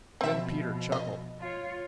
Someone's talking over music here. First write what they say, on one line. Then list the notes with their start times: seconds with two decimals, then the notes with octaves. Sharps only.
Then Peter chuckled.
0.21 B2 F3 C4 E5
0.92 D#5
1.40 F4 C#5